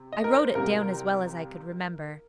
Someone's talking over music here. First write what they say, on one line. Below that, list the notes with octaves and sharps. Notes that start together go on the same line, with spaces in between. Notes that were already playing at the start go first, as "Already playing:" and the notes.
I wrote it down as well as I could remember.
Already playing: C3
D#5
A#4
C5
C2 C3 G3 A#3 A#4